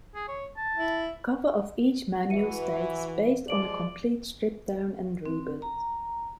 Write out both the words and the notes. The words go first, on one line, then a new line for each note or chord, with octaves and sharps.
The cover of each manual states: "based on a complete stripdown and rebuild".
G#4
C#5
A5
E4
E3 F#4 E5 C#7 D#7
F3 G#3 D5 D6 D7 F#7
C4
A#5